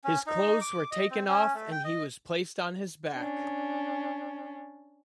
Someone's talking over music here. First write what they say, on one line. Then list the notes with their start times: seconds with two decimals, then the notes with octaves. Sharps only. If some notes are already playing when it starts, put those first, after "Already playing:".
His clothes were taken off, and he was placed on his back.
0.04 C#4
0.26 D#4
0.61 D6
0.91 D#5
1.11 C4
1.28 C#4
1.54 A3
1.71 G5
1.84 D#5
3.15 C#4 D4